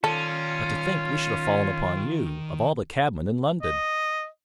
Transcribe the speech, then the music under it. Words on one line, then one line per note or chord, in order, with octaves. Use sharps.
But to think we should have fallen upon you, of all the cabmen in London!
D#3 C#4 F4 A4 D5
D#5